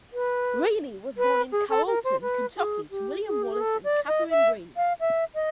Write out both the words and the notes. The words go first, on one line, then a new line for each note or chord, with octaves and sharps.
Raney was born in Carrollton, Kentucky, to William Wallace and Katherine Raney.
B4
B4
G#4
A4
A#4
C5
B4
G#4
G4
G#4
G4
G#4
A4
D5
D#5
E5
F5
E5
D#5